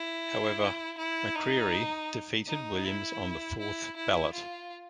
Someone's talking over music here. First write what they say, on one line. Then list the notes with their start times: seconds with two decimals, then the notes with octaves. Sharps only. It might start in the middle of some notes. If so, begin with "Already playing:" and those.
However, McCreary defeated Williams on the fourth ballot.
Already playing: E4
0.98 E4
1.35 D#4
2.48 D#4
2.85 E4
3.59 E4
3.96 E4
4.33 F4